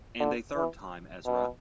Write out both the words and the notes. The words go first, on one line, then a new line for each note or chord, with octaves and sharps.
And a third time - Ezra!
D3
E3
B2